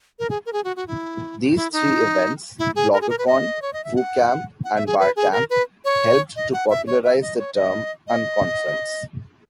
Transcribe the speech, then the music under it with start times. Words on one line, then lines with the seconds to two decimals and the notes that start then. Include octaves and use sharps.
These three events, BloggerCon, Foo Camp and BarCamp helped to popularize the term "unconference".
0.19 A#4
0.30 G#4
0.46 A#4
0.53 G#4
0.64 F#4
0.76 F#4
0.88 E4
1.56 E4
1.73 D#4
2.59 E4
2.76 G#4
2.93 A#4
3.01 G#4
3.10 A#4
3.18 B4
3.27 D#5
3.62 C#5
3.73 D#5
3.84 E5
3.96 F#5
4.64 F#5
4.76 E5
4.87 G#4
4.99 B4
5.16 G#4
5.32 A#4
5.50 B4
5.85 C#5
6.36 D#5
6.53 F#5
6.70 E5
6.87 C#5
7.04 E5
7.22 D#5
7.39 C#5
7.55 D#5
8.07 D#5